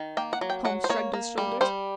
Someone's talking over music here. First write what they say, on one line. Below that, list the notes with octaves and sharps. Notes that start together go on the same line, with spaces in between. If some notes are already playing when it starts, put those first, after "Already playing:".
Holmes shrugged his shoulders.
Already playing: D#3
A#3 G5
F#5
F#3
G5
F#3 F#5
C5
A#3 C#5
A#3
G3
G3 C5